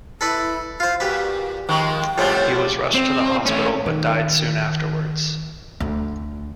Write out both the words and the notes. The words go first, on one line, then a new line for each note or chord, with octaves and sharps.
He was rushed to the hospital but died soon afterwards.
E4 A4 B4 D5
F4 C5 F5
A#2 F#4 G4 B4
D#3 F3 G#3 G5
C#2 A2 F3 G3 C4 F#5
C4
A3 C#4
D#3
D2